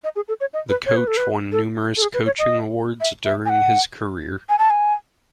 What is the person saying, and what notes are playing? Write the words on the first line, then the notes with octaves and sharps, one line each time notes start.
The coach won numerous coaching awards during his career.
D#5
G#4
A4
C#5
D#5
B4
C#5
B4
A4
B4
A4
A4
G#4
B4
C#5
D#5
E5
E5
G#5
F#5
G#5
A5
G#5